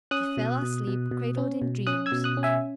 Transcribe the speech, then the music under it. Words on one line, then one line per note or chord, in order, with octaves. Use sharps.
She fell asleep cradled in dreams.
C#4 D#6 F#6
B2
B2
B2
B2
C#4
B2
C#4 D#6 F#6
E6 G#6
B2
D#6 F#6
C#4
E5 G#5